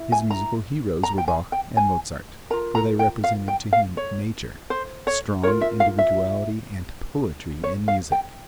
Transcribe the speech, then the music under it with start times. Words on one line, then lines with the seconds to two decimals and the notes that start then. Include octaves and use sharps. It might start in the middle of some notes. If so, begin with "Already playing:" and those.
His musical heroes were Bach and Mozart, for they represented to him nature, strong individuality and poetry in music.
Already playing: E4
0.12 G#5
0.30 A#5
1.03 A#5
1.18 G5
1.28 G#5
1.52 G5
1.77 G#5
2.50 A#4 A#5
2.53 F4
2.75 A#5
2.99 G5
3.24 F5
3.48 G5
3.73 F5
3.97 C#5
4.70 C5
5.07 C#5
5.43 F4 A#4 C#5
5.61 E5
5.80 F5
5.98 E5
7.64 C#5
7.88 F5
8.12 G5